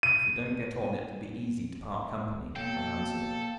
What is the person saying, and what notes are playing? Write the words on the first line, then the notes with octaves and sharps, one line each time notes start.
"If we don't get on it will be easy to part company," I answered.
D#7
B2 F#3 A#3 A4 G5